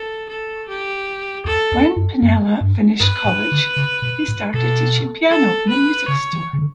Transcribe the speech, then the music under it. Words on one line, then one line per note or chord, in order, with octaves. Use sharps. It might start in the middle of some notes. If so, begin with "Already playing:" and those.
When Pinnella finished college, he started teaching piano in a music store.
Already playing: A4
A4
G4
E2 A4
E2
F#2
F#2
G2
G2 B4
A2
D3
C#3
B2
A2
B2 A4
A4
B4
C#3 C#5
E3
C#3
D3